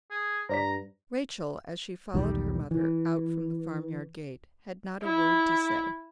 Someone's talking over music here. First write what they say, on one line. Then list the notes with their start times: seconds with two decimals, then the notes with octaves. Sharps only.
Rachel, as she followed her mother out from the farmyard gate, had not a word to say.
0.10 G#4
0.49 G2 C5 D5 A#5 B6
2.14 B1 E2 D#3 G3
2.71 E3
5.03 E4